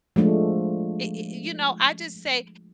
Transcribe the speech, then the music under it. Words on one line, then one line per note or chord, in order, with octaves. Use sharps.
I i i you know, I just say,
F3 G#3 A3 D4